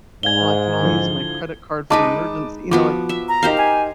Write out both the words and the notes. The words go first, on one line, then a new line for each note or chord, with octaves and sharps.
"Well, I can only use my credit card for an emergency" you know, like
G#2 D5 F5 G#5 G#6 G7
D3 E3 F3
G#3 D#4 B4 D#5 A5 D6
F3 B3 F#4 D6
E5
A#5
D#4 G4 A#4 C5 F5
G#5